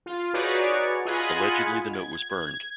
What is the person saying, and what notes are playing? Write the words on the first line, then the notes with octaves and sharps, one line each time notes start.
Allegedly, the note was burned.
F4
D#4 F#4 G#4 B4 C#5 D5
F4 G#4 D#5 F#5 G#5 B5
G#6